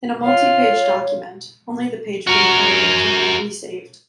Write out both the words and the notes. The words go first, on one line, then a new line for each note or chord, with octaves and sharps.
In a multipage document, only the page being edited can be re-saved.
F4 C#5 F5
F#4 A#4